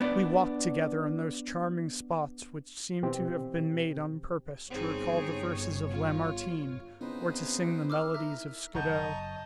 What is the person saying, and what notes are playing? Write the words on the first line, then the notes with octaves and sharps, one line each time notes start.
We walked together in those charming spots which seemed to have been made on purpose to recall the verses of Lamartine or to sing the melodies of Scudo.
B3 D4
B2 E3 C4 G4
G1 C4 D#4 G#4 C#5
F4
C#3 B3 C4 D#4 E4 B4 C5
E4 D6 E6 F6
D#4 E4 A#4 E5 A#5
F#1 D#5 F#5 A5 A#5 C#6 G6